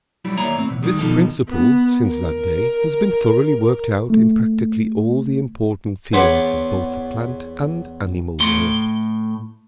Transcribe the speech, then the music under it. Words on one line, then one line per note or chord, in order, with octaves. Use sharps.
This principle, since that day, has been thoroughly worked out in practically all the important fields of both the plant and animal world.
F#3 G3 E4
D#2 A#3 C#5 D5 E5 A#5
A2 C4
B1 E2
D#3 G3 G#3
B2 D#3 F3 D#4 A4
B3
A#4
A3
E2 B3 B4 C#5 C6 D6
A2 C6